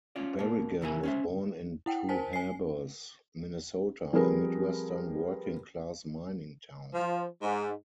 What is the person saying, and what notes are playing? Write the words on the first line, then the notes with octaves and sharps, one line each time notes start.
Berrigan was born in Two Harbors, Minnesota, a Midwestern, working-class, mining town.
C#4 F4 D5
B2 A#3
C3 E3 E4 A#4 G#5
C#4 C5 E5
E4 F#5 G5
A#4 C5 G#5 A5 B6
G#5 C7
F3 G3 C4 G#4 A#4 B4
F3
G#2